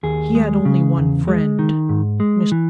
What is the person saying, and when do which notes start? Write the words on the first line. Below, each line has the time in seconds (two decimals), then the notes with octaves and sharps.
He had only one friend--Mr.
0.03 D#2 G#4
0.35 G#3
0.65 C#3
0.97 E2
1.28 G#3
1.59 D#3
1.89 G#2
2.20 G#3
2.52 E3